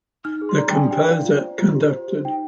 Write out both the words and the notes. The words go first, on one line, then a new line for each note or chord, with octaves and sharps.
The composer conducted.
D#4 F6
G#4
C6
D5 A#5
G5
D4 G#5
G4 G5
D5 F5
F4
C5
F4
G4
C5
G4
D#4 G5